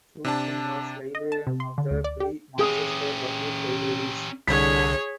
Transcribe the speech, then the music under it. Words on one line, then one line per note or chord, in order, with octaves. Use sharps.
Sutton was librarian of the Free Manchester Public Libraries.
C3 D4 A5
D#5
A5
C3
C6
D3
D2
D5
G4
C#4 G4 G#4 D#6
C2 D3 G#4 C#5 G#6 B6